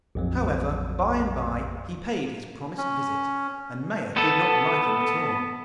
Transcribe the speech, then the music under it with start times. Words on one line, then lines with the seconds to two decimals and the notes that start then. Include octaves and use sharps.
However, by-and-by he paid his promised visit, and Maia did not like him at all.
0.15 A#1 F2 F#3
2.78 C#4
4.17 B3 A4